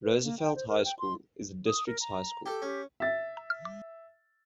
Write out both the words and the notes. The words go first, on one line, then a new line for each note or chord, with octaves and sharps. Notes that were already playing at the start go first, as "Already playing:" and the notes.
Roosevelt High School is the district's high school.
B4
A#3
G5
C5
A#4
G5
C6
D#6
A#4
A#5
G4 A4
C#4 G4
E5 A6